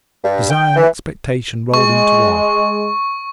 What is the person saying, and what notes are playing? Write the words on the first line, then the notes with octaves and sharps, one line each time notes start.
Desire and expectation rolled into one.
G2
G5
E3
G#3 C#6